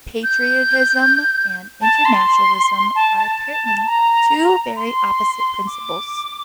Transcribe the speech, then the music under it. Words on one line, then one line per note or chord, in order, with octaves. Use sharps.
Patriotism and internationalism are, apparently, two very opposite principles.
G6
A5
C6
A5
A5
A#5
C6
D6